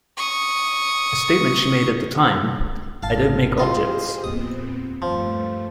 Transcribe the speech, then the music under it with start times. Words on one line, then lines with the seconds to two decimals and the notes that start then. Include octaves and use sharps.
A statement she made at the time - I don't make objects.
0.17 C#6 D#6
3.03 G#1 F5 A5
3.58 E4 F4 G4 G#4 C5 D#5
4.24 D#1 F2 A#2 B3 C4 D#6
5.02 G2 F3 A3